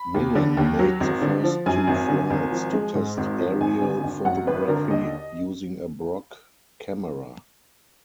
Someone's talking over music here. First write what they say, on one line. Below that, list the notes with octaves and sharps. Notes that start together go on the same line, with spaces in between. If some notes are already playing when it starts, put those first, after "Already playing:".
Milling made the first two flights to test aerial photography using a Brock camera.
Already playing: B5
D#2
D3
D#2
F#3
G#1
D3
F3
F#2 G#5
G#1
D3
G#1
F3
G#3
G#2
G#1
F3
G#1 G#5
D3
G#1
F#2 F#5
G#1 B4
D3 A#4
D#2 D#5